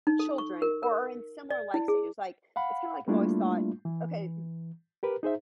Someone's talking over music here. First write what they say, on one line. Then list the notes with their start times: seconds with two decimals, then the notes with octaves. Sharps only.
children or are in similar life stages, like, it's kinda, like, I've always thought, okay,
0.07 D#4
0.19 A4
0.38 C#6
0.62 A#4
0.83 A#4
1.51 D5
1.74 E4
1.88 G#4
2.56 F5 F#5 B5
3.08 G3 A3 A#3 D4 E4 F4
3.85 E3
5.03 G4 A#4 B4
5.23 D#4 G#4 C5 E5